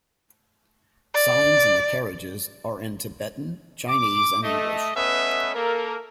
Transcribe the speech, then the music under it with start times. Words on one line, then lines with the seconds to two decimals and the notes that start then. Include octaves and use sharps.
Signs in the carriages are in Tibetan, Chinese, and English.
1.14 D5
3.88 D6
4.43 A3 D#5
4.95 A3 B3 C#4 B4 D#5 E5
5.55 A#3 A4 A#4